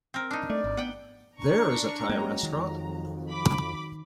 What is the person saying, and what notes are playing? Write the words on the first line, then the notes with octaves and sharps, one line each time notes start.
There is a Thai restaurant.
C4 A#4
D4 D#4
A3 D5
G#1
B3 F#5 G5
D4 A#5 C#6
F#3 G#3 A#3 C#4 G4
F2 D#3
B5 D6